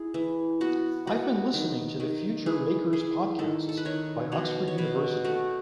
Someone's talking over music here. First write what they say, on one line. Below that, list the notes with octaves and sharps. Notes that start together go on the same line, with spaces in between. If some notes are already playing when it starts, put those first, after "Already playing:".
I've been listening to the future maker's podcasts by Oxford University.
Already playing: E4 G#4
E3
B3 F#4
B3 F#4
D#3
D#3
E3 G#4
E3 G#4
D#3 A4
A4
B4
D#3 C#5
B2 C#5
C#5
B2 B4
A3 F#4